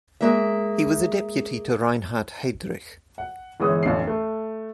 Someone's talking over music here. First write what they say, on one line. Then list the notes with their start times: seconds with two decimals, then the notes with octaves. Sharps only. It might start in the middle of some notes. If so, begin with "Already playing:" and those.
He was a deputy to Reinhard Heydrich.
0.21 G#3 A#3 E5
3.18 F#5
3.60 G1 E3 G#3 C#4 D#6
3.83 A1 F2 D3 C#4 C7
4.07 A3